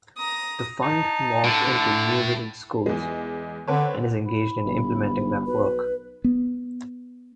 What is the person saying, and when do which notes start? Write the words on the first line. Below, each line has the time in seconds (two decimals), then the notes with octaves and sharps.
The Fund morphed into New Visions Schools and is engaged in implementing that work.
0.17 A#5 D#6
0.82 D#4 A5
1.44 A2 D3
2.86 E2 G#3
3.68 D3 C4 B4 C#5
4.26 B5
4.65 G1
5.46 B1 B4
6.24 B3